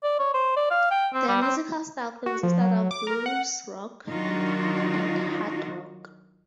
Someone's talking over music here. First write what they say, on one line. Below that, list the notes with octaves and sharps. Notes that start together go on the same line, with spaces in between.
Their musical style consisted of blues rock, and hard rock.
D5
C#5
C5
D5
F5
G5
C4
G3
C4
F#4
F3
F#3
D6
A#4
F#5
D#3 F#3 D4 D#4 F4 F#4